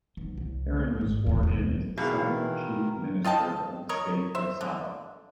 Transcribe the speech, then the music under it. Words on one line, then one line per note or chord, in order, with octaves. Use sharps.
Pairin was sworn in as the seventh Chief Minister of the state of Sabah.
B1
C2
G#1
D#2 A2
E2 B2
B2 D#3 E3 A#3 G#4 A#4 F5
F4 D#5 G5 A5
A#4 C#5 D#5 C#6
C5 E5
D3